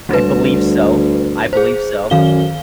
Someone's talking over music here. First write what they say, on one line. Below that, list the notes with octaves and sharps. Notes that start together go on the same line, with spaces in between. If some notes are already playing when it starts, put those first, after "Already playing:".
I believe so. I believe so.
D2 G3 B4
G#4 C5
F#2 D#3 F5 G7